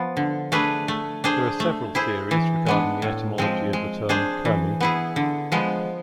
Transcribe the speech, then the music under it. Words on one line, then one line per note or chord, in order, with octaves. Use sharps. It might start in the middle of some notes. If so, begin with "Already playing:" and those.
There are several theories regarding the etymology of the term "Kurmi".
Already playing: F3 B3 F4
D3
A3 D4 G#4 B4
A3
D4 G#4 C5
A3
E4 G#4 C5
E3
G#3 B3 D4
A2
F3 G#3 C4
G#3
D4 G#4 C5
E3
B3 E4 G#4
D3
F3 G#3 B3